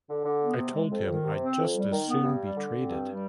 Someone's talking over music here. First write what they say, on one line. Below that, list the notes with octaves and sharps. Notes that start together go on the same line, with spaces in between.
I told him I'd just as soon be traded.
D3
D3
B3
C3
G#3
F2
D#3
C3
C4
F2
G3
D#3
B3
G2
G3
D3
C4
G2
G3